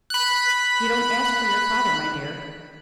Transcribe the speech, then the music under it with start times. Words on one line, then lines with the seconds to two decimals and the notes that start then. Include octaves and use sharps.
"You don't ask for your father, my dear."
0.10 B5 F#6